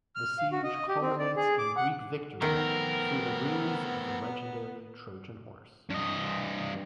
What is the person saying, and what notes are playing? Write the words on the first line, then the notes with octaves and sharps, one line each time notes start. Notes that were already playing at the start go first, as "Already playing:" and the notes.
The siege culminates in Greek victory through the ruse of the legendary Trojan Horse.
F6
F5
F#4
D#5
G4
C4
D5
G#4
D6
F#5
D#3 A3 B3 C4 A#4
G2 D#5